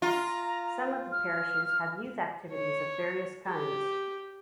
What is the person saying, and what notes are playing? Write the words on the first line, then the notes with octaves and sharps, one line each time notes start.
Some of the parishes have youth activities of various kinds.
F4 A#5
F6
C#5
G4